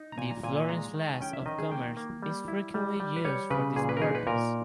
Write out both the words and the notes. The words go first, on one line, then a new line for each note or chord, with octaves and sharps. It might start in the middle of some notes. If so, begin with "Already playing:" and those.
The Florence flask of commerce is frequently used for this purpose.
Already playing: D#4
A#5
A#2 G#5
A#5
A#2 G#5
G#5
G#3 A#5
D#3
G#5
C#4 G5
E5
D#3 D#5
G#4
A#3 G5
A#3
G3
E4
G3
G3
B4
G3 C#5
C#3 B4
A#2 G#4
B4
A#4
D#4 G#4
B4
A#2 A#4